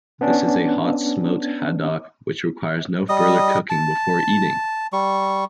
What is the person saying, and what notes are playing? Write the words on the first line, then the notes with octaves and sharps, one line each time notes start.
This is a hot-smoked haddock which requires no further cooking before eating.
B3 C#4 D4
G3 D#5 D#6
A5
G3 C#6